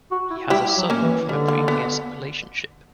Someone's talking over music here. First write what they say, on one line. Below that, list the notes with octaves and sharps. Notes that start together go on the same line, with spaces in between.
He has a son from a previous relationship.
F#4
E4
G3 E4 G4
F#3
A#3 C#4
E3
D3 G3
A#3
B3